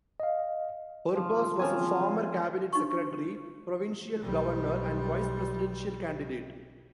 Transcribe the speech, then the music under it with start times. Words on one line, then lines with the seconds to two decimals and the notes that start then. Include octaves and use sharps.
Orbos was a former cabinet secretary, provincial governor, and vice presidential candidate.
0.20 D#5 F5
1.15 F3
1.59 C#3 F3 C4 G#5
2.73 D4 D#4 F#4 C#6
4.21 B1 G3